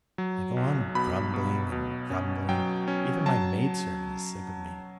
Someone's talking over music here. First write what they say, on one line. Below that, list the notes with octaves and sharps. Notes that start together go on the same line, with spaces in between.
I go on grumbling and grumbling. Even my maidservant is sick of me.
F#3
B1
B2 B5
B2
B2
C#4
F#3 G5
C#4
F#3 A5